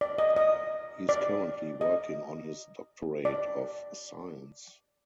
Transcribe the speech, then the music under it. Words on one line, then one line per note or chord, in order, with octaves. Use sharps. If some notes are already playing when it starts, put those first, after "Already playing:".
He is currently working on his Doctorate of Science.
D5
D#5
D#5
D5
D#5
D5